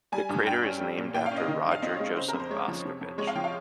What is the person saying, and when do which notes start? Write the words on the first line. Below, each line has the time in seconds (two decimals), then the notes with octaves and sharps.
The crater is named after Roger Joseph Boscovich.
0.12 G3 G#5
0.29 G2
0.46 G2 G5
0.63 C#4
0.80 G3
0.97 A#2
1.15 A#2 G5
1.26 F5
1.31 C#4
1.37 D#5
1.48 D#3
1.65 G2
1.71 F5
1.82 C4 D#5
1.94 C#5
2.00 G#3
2.17 C#3 C5
2.28 A#4
2.34 F2
2.40 C5
2.50 G#3 C#5
2.68 F3
2.85 C3
3.01 F2
3.18 G#3 C#5
3.27 F5
3.35 F3 G5
3.44 F5